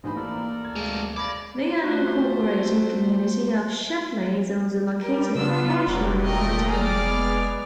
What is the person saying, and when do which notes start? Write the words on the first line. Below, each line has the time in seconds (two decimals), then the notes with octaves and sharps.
The unincorporated community of Shepley is also located partially in the town.
0.04 A1 G#2 E3 G4 C5 D#5 B5
0.16 A#3 A4 A#4 D5
0.65 D2 G#6
0.76 G#3 A#3
1.16 D5 F5 B5 G#6 A#6
1.83 A3 F4 F#4 C5
5.01 G3 A#4
5.35 C#3 F#3 B3 D4 F4 E6
5.87 F1 F#3 G3 F#4 A#4
6.23 D#2 A#2 A3 A#4 D#5 G5 A#6
6.68 G#4 D5 F6
7.02 G#3 B3